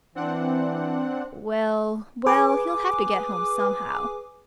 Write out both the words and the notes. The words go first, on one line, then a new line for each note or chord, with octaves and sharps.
Well, well, he'll have to get home somehow.
E3 C4 D4 F#5
G#4 B4 G#5 D6